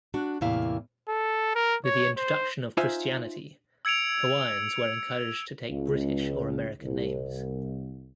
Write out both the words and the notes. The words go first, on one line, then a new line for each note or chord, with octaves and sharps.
With the introduction of Christianity, Hawaiians were encouraged to take British or American names.
D4 F#4
E2 A2 C3 A#3 E4 F5
A4
A#4
C#5
C5
D#4 F4 C5 E5 G#5
E6 G#6 C#7 D7 F7
C#2
C2